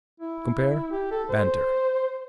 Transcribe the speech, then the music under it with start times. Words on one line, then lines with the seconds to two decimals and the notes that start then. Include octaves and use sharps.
Compare BANTER.
0.20 E4
0.91 G4
1.11 A4
1.30 C5